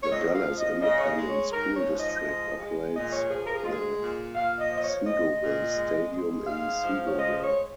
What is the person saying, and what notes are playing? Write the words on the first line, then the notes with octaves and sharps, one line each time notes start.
The Dallas Independent School District operates the Seagoville Stadium in Seagoville.
C#5
F2 D#5
F5
F3
D#5
C#3 D#5
C#5
D#5
G#3
C#5
G#2 A#4
C#5
F3
D#5
G#3
G#3
A#2 D#5
C#5
F3 G#4
A#4
G#4
G#3 F4
G#4
A#2
A#2 F5
D#5
F3
D#5
C#5
G#3 D#5
A#2
G#3
G#3
G#2 F5
F3
C#5
G#3 D#5
C#5